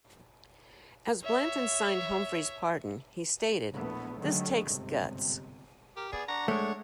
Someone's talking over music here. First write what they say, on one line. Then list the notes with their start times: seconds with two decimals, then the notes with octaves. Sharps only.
As Blanton signed Humphreys' pardon, he stated, this takes guts.
1.22 C#5 E5
3.71 A#1 E2 A3 B3
4.18 D3 D#3 F#3 G#3 A3
4.66 G1 C#2 G#2 C3
5.96 G4 A#4
6.12 B3 G#4 D5
6.28 D4 F#5 A#5 C#6
6.48 G#3 A3 C#5